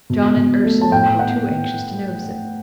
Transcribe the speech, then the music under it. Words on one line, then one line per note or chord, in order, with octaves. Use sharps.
John and Ursula were too anxious to notice it.
B2
B2
A3
A5
A2 G5
B3 F#5